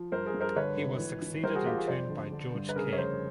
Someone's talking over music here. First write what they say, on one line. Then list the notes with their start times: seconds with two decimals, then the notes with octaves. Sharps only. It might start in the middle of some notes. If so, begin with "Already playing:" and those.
He was succeeded in turn by George Kay.
Already playing: F3
0.12 G2 A#4 C5
0.26 G#4 A#4
0.34 G2
0.41 A#4 C5
0.56 D3 B4 C#5
0.77 G#1
0.99 E3
1.22 E3
1.43 G3 A#4 C5
1.55 F#4 G#4
1.66 G3 F4 G4
1.78 F#4 G#4
1.88 F2 C5 D5
2.10 D3
2.32 D3
2.55 G2
2.69 B4
2.76 C#3 G#4 A#4
2.93 C#5
2.98 F1 A#4 C5